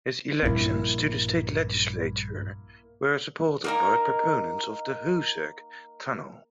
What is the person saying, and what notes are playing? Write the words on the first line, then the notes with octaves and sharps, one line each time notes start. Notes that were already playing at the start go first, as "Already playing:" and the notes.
His elections to the state legislature were supported by proponents of the Hoosac Tunnel.
A#1 G2 A#3 E4
A#3 D#4 A#4